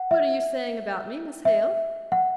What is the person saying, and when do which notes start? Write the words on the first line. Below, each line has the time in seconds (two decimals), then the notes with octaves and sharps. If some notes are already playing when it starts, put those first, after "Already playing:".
'What are you saying about me, Miss Hale?
Already playing: F#5
0.11 E5
1.45 E5
2.12 F#5